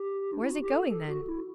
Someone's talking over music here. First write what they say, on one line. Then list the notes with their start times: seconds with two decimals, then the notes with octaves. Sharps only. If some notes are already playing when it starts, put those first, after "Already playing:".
"Where is it going then?"
Already playing: G4
0.32 D4
0.42 E4
0.51 F#4
0.61 G4
0.71 A4
0.90 A4
1.08 F#4
1.27 E4